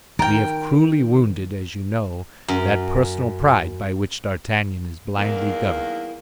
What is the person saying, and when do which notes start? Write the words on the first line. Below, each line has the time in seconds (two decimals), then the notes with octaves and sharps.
We have cruelly wounded, as you know, that personal pride by which D'Artagnan is blindly governed.
0.19 D#3 A#4 G5
2.48 F#2
5.17 E2 D#3 A#3 E4 A#4